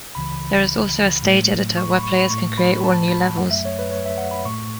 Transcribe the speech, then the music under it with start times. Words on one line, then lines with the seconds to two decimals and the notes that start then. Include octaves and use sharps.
There is also a stage editor where players can create all new levels.
0.15 C#2 C#3 E3 B5
1.23 A2 F#3 A3
1.77 C#6
1.90 B5
2.03 C#6
2.17 B5
2.30 A2 A3 C#6
2.58 B5
2.84 A5
3.11 B5
3.38 F#2 F#3 A3 F#5
3.51 E5
3.65 C#5
3.79 B4
3.91 C#5
4.06 E5
4.18 F#5
4.31 B5
4.45 A2 A3 C#6